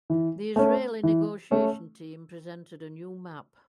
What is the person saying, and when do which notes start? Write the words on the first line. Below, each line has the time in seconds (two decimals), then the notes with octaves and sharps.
The Israeli negotiation team presented a new map.
0.10 E3
0.56 A3 C#4
1.03 E3
1.51 A3 C#4